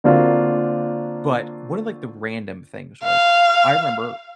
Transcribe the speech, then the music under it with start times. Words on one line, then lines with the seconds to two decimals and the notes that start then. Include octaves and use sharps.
but one of, like, the random things was I remember
0.04 D3 A#3 C4 D4 F4 F#4
3.04 F5